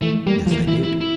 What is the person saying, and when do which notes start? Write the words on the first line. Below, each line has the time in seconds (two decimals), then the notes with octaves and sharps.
"Yes, I did."
0.02 E3 A3
0.27 G3 A#3
0.46 F3
0.52 E3 A#3
0.68 E3 E4
0.84 E4
1.01 E4